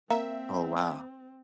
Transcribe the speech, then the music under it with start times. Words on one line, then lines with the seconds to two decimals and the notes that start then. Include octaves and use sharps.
Oh, wow.
0.10 A#3 C4 E5 A#5